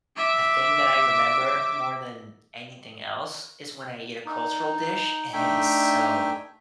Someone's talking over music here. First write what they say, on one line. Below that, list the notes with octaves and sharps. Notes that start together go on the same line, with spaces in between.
the thing that I remember more than anything else, is when I eat a cultural dish and it is so
E5 D6
D#4
A3 D4 D#4 E5 G5 G#5